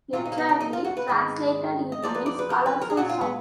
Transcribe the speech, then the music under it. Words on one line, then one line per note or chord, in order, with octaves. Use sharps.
Literally translated it means "colorful sound".
A#2 F#3 F4
D#4
A#3
B3
D4
D#4
F4
F#4
B4
G#2 D#3 G#3
D#5
F#2 F3 G#3 D5
B4
D5
B4
A#4
B4
A#4
G#4
A#2 F#3 F#4
F4
B3